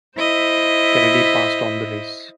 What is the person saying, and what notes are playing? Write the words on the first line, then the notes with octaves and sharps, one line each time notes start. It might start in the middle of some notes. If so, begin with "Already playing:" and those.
Kennedy passed on the race.
E4 C5 D#5 E5